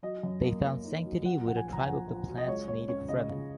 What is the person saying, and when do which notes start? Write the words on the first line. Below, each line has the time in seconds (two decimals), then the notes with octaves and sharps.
They find sanctuary with a tribe of the planet's native Fremen.
0.03 F#3 D#5
0.23 F#2
0.43 A#3
0.64 A#3
0.85 D#4
1.05 F#3
1.25 F#3 F#5
1.46 A#1 F#5
1.56 G#5
1.67 A#1
1.73 A#5
1.80 G#5
1.87 A#1 F#5
2.08 A#1
2.27 F#3
2.37 D#5
2.48 C#2 C#5
2.68 C#2 C#5
2.88 C#4 C#5
3.08 C#3 D#5
3.29 C#3